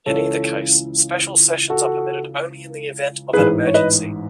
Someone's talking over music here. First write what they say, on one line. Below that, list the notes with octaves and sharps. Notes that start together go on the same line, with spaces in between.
In either case, special sessions are permitted only in the event of an emergency.
C#2 C#3 E3 A4 C#5
F#4 A4
A1 G#2 E3 G#4 B4
C#5
B4 D#5